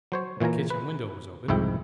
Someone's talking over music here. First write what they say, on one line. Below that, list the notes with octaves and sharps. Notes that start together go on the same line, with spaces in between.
The kitchen window was open.
F#3 C5 C#5
A#2 E3 F4 G#5 A#5
B4
C2 F2 G#2 E4 E5 G5